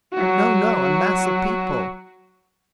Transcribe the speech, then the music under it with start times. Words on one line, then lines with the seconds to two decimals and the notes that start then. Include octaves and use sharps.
"No, no; a mass of people."
0.13 F#3 F#4